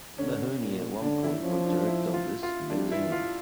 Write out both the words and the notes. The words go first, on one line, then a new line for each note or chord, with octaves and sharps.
Mahony at one point was director of this magazine.
D3 C#4
A#2
D3 D4
E4
F3 C#4
D4
E4
F4
F4
G3 D4
E4
E3
F4